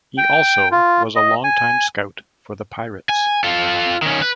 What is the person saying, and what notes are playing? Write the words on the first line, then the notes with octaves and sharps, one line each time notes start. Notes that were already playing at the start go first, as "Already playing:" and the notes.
He also was a longtime scout for the Pirates.
G5
F4
D#5
G#5
G#5
F4 A4
D#3 C#4
B4